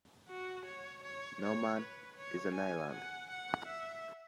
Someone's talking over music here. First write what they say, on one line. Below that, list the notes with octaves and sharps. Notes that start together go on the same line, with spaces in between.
No man is an island.
F#4
C#5
C#5
C#5
B4
C#5
G#5
F#5
F#5
E5